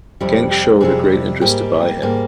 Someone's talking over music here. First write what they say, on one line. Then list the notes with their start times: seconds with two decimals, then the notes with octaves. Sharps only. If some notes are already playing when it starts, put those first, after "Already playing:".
Genk showed a great interest to buy him.
0.21 F2 C3 G3 E4
0.51 G4
0.81 F2 C3 G3 G#4
1.41 G#2 G3 A#3 G4
2.02 G#2 G3 A#3